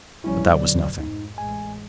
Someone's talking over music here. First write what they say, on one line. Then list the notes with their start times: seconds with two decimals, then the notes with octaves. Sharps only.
But that was nothing.
0.24 B1 F3 G3 C#4 E4
0.54 F1 B2 D3 F#3 D5
1.00 G#2 D#4
1.38 A1 G#3 G#5